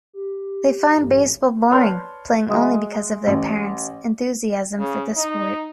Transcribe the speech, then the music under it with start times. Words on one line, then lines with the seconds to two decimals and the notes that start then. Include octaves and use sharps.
They find baseball boring, playing only because of their parents' enthusiasm for the sport.
0.13 G4
0.97 A1 G2
1.71 B4 C#5 D5 A5 C6 F6
2.49 G#3 F#4 E5 D#6
3.27 A1
4.78 C#3
5.17 D#4